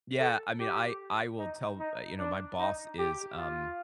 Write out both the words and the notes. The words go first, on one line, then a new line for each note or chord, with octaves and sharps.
Yeah, I mean, I I will tell uh, you know, my boss is, um,
A4
G4
D#4
D#4
D4
D#4
G4
F4